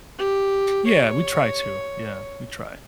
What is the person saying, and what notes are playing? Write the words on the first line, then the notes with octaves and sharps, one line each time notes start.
Yeah, we try to. Yeah, we try.
G4
C#5